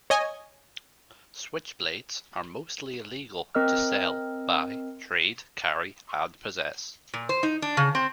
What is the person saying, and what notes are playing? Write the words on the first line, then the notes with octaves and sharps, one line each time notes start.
Switchblades are mostly illegal to sell, buy, trade, carry and possess.
C#5 D#5 G#5
C4 A#4 D#5 E6 F6
A#2
C5
D#4
D4
C#3
C4